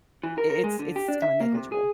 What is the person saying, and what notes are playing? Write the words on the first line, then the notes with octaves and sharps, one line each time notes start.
i it's it's kinda negligible.
E3
A#4
A#4
G#3
D3
G4
D4
E5
A#3
C3
G#4